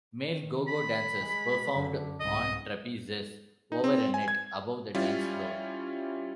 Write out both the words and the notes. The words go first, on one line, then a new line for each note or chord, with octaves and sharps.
Male go-go dancers performed on trapezes over a net above the dance floor.
D#3
B5
G#3
F#2 D3
C2 G#2 D#5
D#4
C4
G#5
G#6
G3 C#4 E4 F4